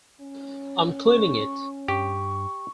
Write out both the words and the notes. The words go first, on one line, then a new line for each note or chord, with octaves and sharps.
I'm cleaning it.
C#4
C#6
G2 G4 C#6